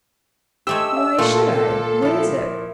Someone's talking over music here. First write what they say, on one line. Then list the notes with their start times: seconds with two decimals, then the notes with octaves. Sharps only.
"Why should I? What is it?"
0.67 G#3 A3 G4 C5 E6
0.97 E5
1.18 A#2 A3 F4 A4
2.02 F3 E4